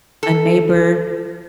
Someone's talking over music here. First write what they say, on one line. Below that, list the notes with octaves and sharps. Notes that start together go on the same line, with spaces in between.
a neighbor.
A4